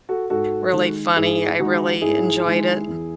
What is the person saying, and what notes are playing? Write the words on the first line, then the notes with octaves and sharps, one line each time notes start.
really funny, I really enjoyed it.
F#4 A4
G#2 F#4 A4
D#3 G#3
G#2 E4 G#4
D#3 G#3 D#4 F#4
G#2 E4 G#4
D#3 G#3
E2